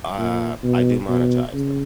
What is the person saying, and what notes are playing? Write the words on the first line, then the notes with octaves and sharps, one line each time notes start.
uh, I do monetize them.
A#2
B2
B2
C#3